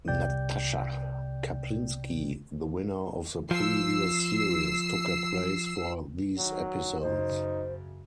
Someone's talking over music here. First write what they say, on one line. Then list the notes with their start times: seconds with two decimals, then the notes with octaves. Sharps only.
Natasha Kaplinsky, the winner of the previous series, took her place for these episodes.
0.08 C2 C3 D5 G5 G6
3.51 F3 E6 C7
6.38 D#3 F#3
7.00 F#2 C#3 D#4 C5